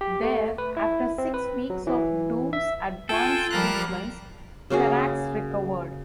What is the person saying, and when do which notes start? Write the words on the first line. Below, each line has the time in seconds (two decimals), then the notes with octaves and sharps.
There, after six weeks of Doom's advanced treatments, Terrax recovered.
0.01 G4
0.23 A3
0.58 B4
0.77 E4
1.18 C4
1.34 B4
1.70 F#3
1.87 E3
2.53 E5
3.09 F4 A4 G5 G#5
3.51 F3 G3 A#4 F5 A#5 F#6
4.70 C#3 A#3 F#4 G#4